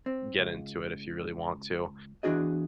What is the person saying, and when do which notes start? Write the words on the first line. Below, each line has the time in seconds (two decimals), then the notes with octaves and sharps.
get into it if you really want to.
0.06 C4
0.39 C#2
2.23 E2 D#3 D4 F#4 G#4 D#5